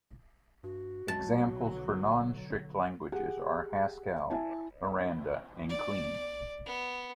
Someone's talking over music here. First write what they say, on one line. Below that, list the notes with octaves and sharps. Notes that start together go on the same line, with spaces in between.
Examples for non-strict languages are Haskell, Miranda, and Clean.
G2 F#4
B1 F#3 G#3 A5
D3
G4 G#4 F#5
E4 E5 G#5 A5
D5
B3